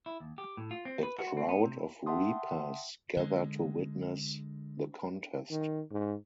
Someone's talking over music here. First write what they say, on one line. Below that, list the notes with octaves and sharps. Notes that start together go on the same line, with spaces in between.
A crowd of reapers gather to witness the contest.
E4
D#2
G4
A2
F4
C4
B4
F#4
C4
B3
C3
E5 F#5 G5 A5 C6 D#6
D3 G#3
D#3
G#2